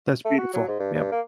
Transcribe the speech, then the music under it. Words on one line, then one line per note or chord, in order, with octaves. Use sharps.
That's beautiful, yep.
A3
F#4
F#3
G#2
G2
G2
A#3